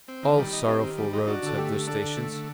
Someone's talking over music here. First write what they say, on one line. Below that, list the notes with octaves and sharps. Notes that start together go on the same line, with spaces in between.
All sorrowful roads have their stations.
C4
D#3
G3
D#4
C4 G4
D#3
G3
D#4
D4 F#4
D3 A4
A3 G4
D3
D4 A4
D3
A3
D3